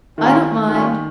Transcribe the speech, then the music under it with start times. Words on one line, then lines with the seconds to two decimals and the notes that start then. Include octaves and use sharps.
"I don't mind."
0.18 A#2 D#3 G3 C#4 F4 A#4
0.68 D#3 G3 A#3 C#4 F4